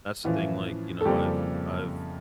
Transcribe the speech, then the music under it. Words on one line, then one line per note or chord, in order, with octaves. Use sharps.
that's the thing, like, you know, I've I've
A2 E3 F3 C#4 E4 F4
A4
F2 C#3 F3 G3 A#3 G4